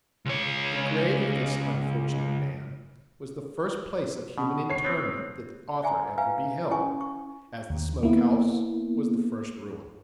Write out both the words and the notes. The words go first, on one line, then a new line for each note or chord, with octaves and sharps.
The grave of this unfortunate man was the first place of human interment that the author ever beheld, as the smoke-house was the first ruin!
C#2 C#5
B2
C#5 C7
B3 C4
D5 E5 G#5 A#5 C6
B4 E5 F5 G#5 A#5
C#4 E4 G#5 C#6
C#6
D#2
A#3 B3 E4